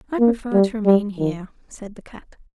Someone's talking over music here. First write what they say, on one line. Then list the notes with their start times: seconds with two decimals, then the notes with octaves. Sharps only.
"I prefer to remain here," said the cat.
0.19 A#3
0.53 G3
0.85 G3
1.19 D#3